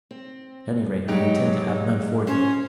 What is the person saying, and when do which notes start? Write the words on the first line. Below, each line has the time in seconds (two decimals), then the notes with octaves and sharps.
At any rate, I intend to have none for you.
0.11 C4
1.08 F#3 G#3 D#4 G4
2.27 C#4 C5